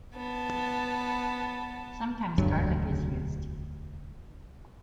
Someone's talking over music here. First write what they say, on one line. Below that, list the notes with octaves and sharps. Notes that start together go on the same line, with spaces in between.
Sometimes garlic is used.
B3 A5
E1 D2 G2 F#3